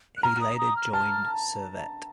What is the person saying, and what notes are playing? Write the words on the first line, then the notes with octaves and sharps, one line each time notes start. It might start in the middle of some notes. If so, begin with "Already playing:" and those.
He later joined Servette.
F#6
A#5 F6
D#6
D#6
F6
A5 F6